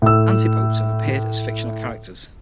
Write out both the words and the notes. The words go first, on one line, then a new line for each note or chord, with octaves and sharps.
Antipopes have appeared as fictional characters.
A2 E6